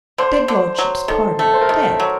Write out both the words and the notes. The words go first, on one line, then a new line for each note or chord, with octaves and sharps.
"Begludship's pardon--dead."
D3 C5
D3
F#3
D#3 A4
A3 A4
C5
A#4
D#3 A4
F#3